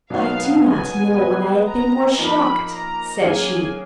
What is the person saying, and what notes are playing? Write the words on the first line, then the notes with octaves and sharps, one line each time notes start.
"I do not know when I have been more shocked," said she.
B2 F#3 B3 D#4 F#4 F5
G#5
B3 F#4 B4 D#5
A#5
F3 A#3 D#4 A#4 B5
A#5
F#3 A#3 C#4 G#4 G#5